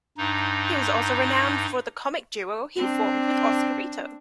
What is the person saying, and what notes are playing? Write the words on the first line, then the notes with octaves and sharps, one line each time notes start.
He was also renowned for the comic duo he formed with Oscarito.
G2 D#4
C4 D4